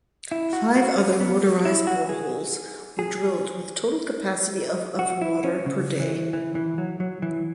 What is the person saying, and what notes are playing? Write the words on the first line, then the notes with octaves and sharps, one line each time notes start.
Five other "motorised boreholes" were drilled with total capacity of of water per day.
E4
F#4
F#4
C#4
B3
E4
F#4
G#4
G#4
F#4
E4
C#4
C#3
E3
E3
E3
F#3
F#3
E3